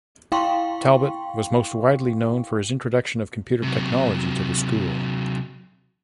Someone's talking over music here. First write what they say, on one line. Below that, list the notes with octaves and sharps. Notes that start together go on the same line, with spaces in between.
Talbot was most widely known for his introduction of computer technology to the school.
E4 F5 G5 C6 C#6
C3 F#3